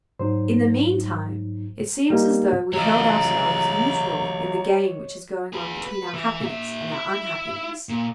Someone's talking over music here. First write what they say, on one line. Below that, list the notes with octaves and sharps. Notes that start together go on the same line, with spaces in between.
In the meantime, it seems as though we held ourselves neutral in the game which is going on between our happiness and our unhappiness.
G#2 F#3 D#4 C5
G3 A#3 D#4
E3 F#3 C#5 D#5 A#5
G#4 B4
B4
E3
A#2 E5
E4
A#2